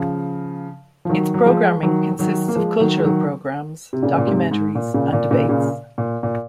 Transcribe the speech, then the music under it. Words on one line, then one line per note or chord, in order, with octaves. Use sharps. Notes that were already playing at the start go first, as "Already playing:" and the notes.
Its programming consists of cultural programmes, documentaries and debates.
Already playing: C#3 F3
F3
D#3 F#3
F#3
F3 G#3
D#3 F#3
D#3 F#3
A#3
F3 G#3
D#3 F#3
G#3
D#3 F#3
C3
A#2 C#3
A#2
G#2 C3
G#2
A#2
A#2 C#3
A#2
A#2 C#3
A#2 C#3
A#2
A#2